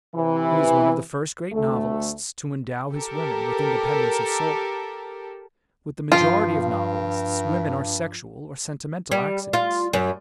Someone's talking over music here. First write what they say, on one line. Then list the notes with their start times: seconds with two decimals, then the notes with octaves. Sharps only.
He was one of the first great novelists to endow his women with independence of soul. With the majority of novelists, women are sexual or sentimental accidents.
0.16 C3 E3
1.53 D2 A3
2.93 G4 A4 A#4
6.12 G2 F3 F4 G5
9.12 G3
9.53 F4
9.93 F#2